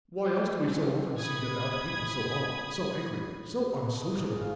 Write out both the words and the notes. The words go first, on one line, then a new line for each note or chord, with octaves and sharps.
Why else do we so often see devout people so hard, so angry, so unsociable?
F#4 B4 C5
G3 A3 C#4
B5 D#6 G#6
B2
D#5
G#1
F5